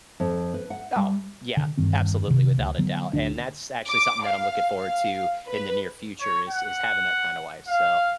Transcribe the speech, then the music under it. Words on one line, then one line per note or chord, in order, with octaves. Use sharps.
Oh, yeah, absolutely, without a doubt, and that's actually something that I'm looking forward to in the near future, is is having that kind of wife, so,
F2
B4
F#5
G3
D3
E1 G2 D#3 C4
C3 D#3
D2
D3 F#3 B3
D1 D2 D4
D6
F5
F5
B4
C#5
F#5
F5